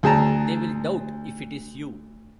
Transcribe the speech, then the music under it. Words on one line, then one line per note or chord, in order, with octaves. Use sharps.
They will doubt if it is you.
D2 G#4 A5 A#5